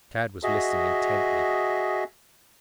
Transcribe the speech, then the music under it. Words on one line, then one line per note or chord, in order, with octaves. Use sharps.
Tad was listening intently.
F#4 G#4 D#5 E5